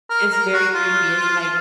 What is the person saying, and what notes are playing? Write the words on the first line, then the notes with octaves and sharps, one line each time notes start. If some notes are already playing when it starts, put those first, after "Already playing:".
it's very creepy, it's like
A#4
A#4
F#4
F4